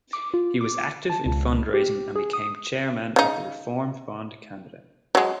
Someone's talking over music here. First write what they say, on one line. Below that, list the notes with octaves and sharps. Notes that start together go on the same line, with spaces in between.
He was active in fundraising and became chairman of the Reform Fund Canada.
D6
F4
D6
A5
C#2
G4
G#4
D#6
C#3 D#4
F#3 G#3